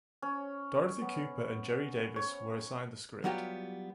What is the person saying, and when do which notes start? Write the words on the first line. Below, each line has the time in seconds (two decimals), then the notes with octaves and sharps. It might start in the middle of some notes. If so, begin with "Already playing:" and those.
Dorothy Cooper and Jerry Davis were assigned the script.
0.22 C#4
1.02 B3
2.16 C#5
3.24 F#3 G3 B3 F4 G4